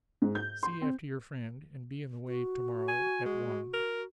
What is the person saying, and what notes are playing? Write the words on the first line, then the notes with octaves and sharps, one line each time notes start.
'See after your friend, and be in the way to-morrow at one.
G#2
G6
C6
C4
F#4
G#5
G#3
A#4